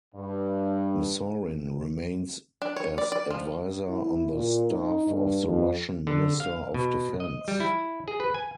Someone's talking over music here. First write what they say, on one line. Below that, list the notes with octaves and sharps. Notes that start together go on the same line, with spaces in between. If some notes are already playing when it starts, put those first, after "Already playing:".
Masorin remains as advisor on the staff of the Russian Minister of Defense.
G2
D4
C#5
D5
D5
F3
E4
A#2
D#4
G2
F2
D3
F5
B2
D#5
G3
E4
G#4
B4
G#5